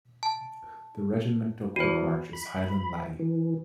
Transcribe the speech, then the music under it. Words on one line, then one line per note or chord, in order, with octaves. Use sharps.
The Regimental Quick March is "Hielan' Laddie".
A5
E2 F#4 C5
B5
E3